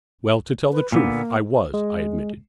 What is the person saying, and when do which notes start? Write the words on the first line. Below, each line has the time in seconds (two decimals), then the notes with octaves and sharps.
"Well, to tell the truth, I was," I admitted.
0.72 B4
0.92 A#2 D3 A#3 B3
1.74 G#3